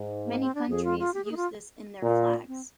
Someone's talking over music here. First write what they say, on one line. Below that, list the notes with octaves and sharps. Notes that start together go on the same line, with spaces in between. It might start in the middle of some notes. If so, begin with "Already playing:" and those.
Many countries use this in their flags.
Already playing: G#2
A#3
C4
D4
F2 G#4
F4
F4
G4
G#4
D#4
F4
A#2
C4